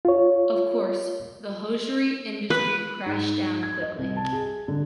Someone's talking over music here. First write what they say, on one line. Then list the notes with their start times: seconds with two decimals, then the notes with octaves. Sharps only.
Of course, the hosiery industry crashed down quickly.
0.05 F4 C#5
2.50 B4
3.06 G#2
3.63 G#6
3.82 D#5
3.98 C2
4.16 A5
4.33 G#4
4.68 D3